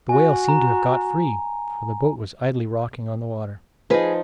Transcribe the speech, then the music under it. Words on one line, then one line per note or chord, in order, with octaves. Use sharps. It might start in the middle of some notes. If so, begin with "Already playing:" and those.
The whale seemed to have got free, for the boat was idly rocking on the water.
F#4 G#5
A#5
F3 D#4 G#4 B4